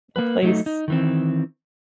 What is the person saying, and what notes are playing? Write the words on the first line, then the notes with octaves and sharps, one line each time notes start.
a place,
A#3 B4
F#3 A3 D#4
D#4
D#3 E3 C4